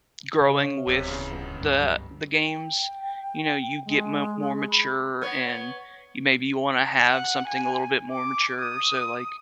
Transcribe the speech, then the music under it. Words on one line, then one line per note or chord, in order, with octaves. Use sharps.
growing with the the games. You know, you get mo more mature and you maybe you wanna have something a little bit more mature so like,
C#3 C#5 D#5 F5
D1 B1 C3
E2 C#3
G1
C#2 G2
G3
G5
G#3
B5
B3 C#5
F#5
G#5
D6
D#6